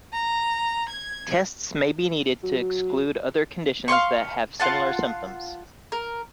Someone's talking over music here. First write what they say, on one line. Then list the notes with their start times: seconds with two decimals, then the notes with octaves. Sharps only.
Tests may be needed to exclude other conditions that have similar symptoms.
0.13 A#5
0.89 G#6
2.43 F#3
3.88 F5 G5 C6 C#6
4.60 F4 F#5 A5
5.92 A#4